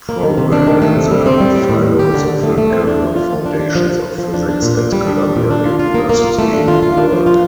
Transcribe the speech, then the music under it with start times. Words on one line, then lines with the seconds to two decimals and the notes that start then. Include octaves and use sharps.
Program in The Philosophical Foundations of Physics at Columbia University in New York.
0.09 A#3
0.23 D#3
0.38 C3
0.52 D4
0.67 D#3
0.82 A3
0.97 C3
1.11 G3
1.26 C4
1.40 G3
1.55 A2
1.69 A2
1.84 A2
1.99 G4
2.14 D3
2.28 D3
2.43 A3
2.58 A3
2.72 C4
2.87 D4
3.02 F3
3.16 F4
3.31 F3
3.46 D4
3.60 D4
3.75 F3
3.90 F3
4.04 F3
4.19 F3
4.34 D4
4.48 D4
4.63 A#2
4.77 A#2
4.93 G3
5.06 D4
5.21 G3
5.36 A#2
5.51 D4
5.65 F4
5.79 F4
5.94 A#3
6.09 A#3
6.24 F4
6.39 A3
6.53 D4
6.68 F4
6.83 F4
6.97 D4
7.12 F3
7.26 F4